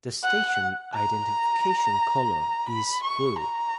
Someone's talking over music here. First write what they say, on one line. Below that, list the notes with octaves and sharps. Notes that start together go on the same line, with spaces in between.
The station identification colour is blue.
F#5
A#5
B5
C#6
A#5